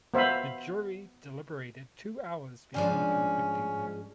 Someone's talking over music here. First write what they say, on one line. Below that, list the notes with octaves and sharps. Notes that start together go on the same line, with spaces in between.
The jury deliberated two hours before convicting her.
B3 C5 E5 F5 B5
G#2 F3 G3 G#3 C#4 D4